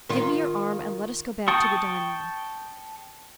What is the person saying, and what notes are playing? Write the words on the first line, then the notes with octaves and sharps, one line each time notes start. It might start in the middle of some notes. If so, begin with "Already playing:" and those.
Give me your arm and let us go back to the dining-room.
D#3 F4
G5 A5 C#6 D#6